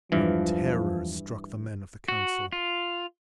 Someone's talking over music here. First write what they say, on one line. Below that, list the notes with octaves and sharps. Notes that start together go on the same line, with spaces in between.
But terror struck the men of the Council.
E2 G2 E3 F3 G#3
F#4
F4